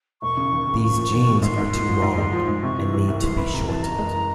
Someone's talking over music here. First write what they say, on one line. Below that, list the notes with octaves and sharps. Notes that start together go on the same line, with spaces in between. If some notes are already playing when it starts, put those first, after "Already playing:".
These jeans are too long, and need to be shortened.
E1 C#6
C#3
D#2
C#3
F3 C#6
F3
D#2
D#2
G#2 C6
G#2
F3
F3
G#2
G#3
F3
G#2
C3 C#6
E3
E3
C2
E3 C6
E3 B5
C3 A#5
E3 A5
F#1 A#5
G#3